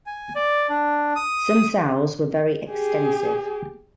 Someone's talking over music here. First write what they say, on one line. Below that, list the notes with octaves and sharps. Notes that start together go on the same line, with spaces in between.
Some soughs were very extensive.
G#5
D5
D4
D#6
G4 G#4